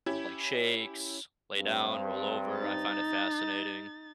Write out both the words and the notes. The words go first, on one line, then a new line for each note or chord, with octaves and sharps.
like, shakes, lay down, roll over, I find it fascinating.
C#4 E4 G4 G#6
G2 C4
D#4 A6